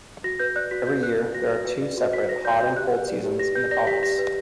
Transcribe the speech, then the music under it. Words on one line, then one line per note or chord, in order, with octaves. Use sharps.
Every year, there are two separate hot and cold seasons in the province.
F#4 A#6
B4 G6
D5 F#6
F#4 B6
F#4 G6
B4 F#6
D5 F#6
F#4 A#6
F#4
B4
D5
F#4
F#4 B6
B4 A#6
D5 G6
F#4 G6
G4 F#6
B4
D5
G4
G4 A#6
B4 G6
D5 A#6
G4 B6
G4 A#6
B4